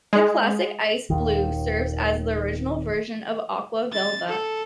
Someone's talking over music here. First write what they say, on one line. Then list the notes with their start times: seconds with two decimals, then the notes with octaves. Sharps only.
The classic ice blue serves as the original version of Aqua Velva.
0.13 G#3
1.10 D#1 D#2 D#3
3.93 A6
4.28 A4